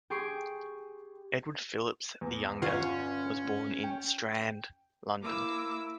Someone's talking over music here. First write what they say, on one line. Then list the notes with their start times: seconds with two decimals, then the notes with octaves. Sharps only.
Edward Phillips the younger was born in Strand, London.
0.10 G4 G#4 C#6 C7 D7
2.21 E2
2.62 G1 C#4 F4 C#5 F#5
3.84 G5
5.21 A#3 E4 D6 E6